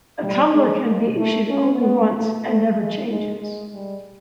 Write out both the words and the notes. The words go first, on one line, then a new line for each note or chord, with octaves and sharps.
A tumbler can be issued only once and never changes.
G3
G#3
A#3
A3
C#4
B3
A3
A3
G#3
G#3
G#3
G3